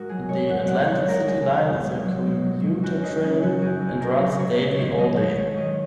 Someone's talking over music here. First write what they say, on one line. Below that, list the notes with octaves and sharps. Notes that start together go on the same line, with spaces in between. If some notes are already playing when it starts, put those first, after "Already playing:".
The Atlantic City Line is a commuter train and runs daily all day.
Already playing: G#2 F#4 A#4
F#3 G#4
G#2 C#5
F#3 F#5
G#2 F#5
F#3 C#5
G#2 A#4
F#3 G#4
G#2
F#3
G#2
F#3
G#2
F#3
G#2
F#2 F#4
F#2 D#4
C#3 C#4
F#3 F#4
F#2 G#4
F#2
C#3 A#4
F#3
G#2 C#5
G#2 C#5
D#3 C#5
F#3 D#5
G#2 C#5
G#2 C#5
D#3 D#5